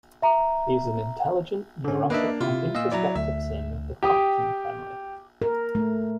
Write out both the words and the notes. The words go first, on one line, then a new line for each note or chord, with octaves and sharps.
He is an intelligent, neurotic, and introspective son of the Compson Family.
E5 A#5
D3 C#4
A#3 D4 B4 D#5 E5
C3 E4 F4
A#2 D#5 F5 E6
F#3 E4 D5 A#5
D2 E5
G4 G5 D#6
A#4
A3